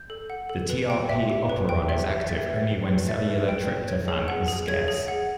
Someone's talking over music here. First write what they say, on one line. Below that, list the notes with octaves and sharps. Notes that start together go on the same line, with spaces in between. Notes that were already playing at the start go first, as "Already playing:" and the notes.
The trp operon is active only when cellular tryptophan is scarce.
Already playing: G6
A4
F#5
A4
B4
G5
E5
G4
B4
G5
E5
G4
E5 A6
G#6
B4
A6
G5
B4
E5 A6
B4
G5
B4
C#5
G#4
F#5
G#4
C#5 G#6
G#4
F#5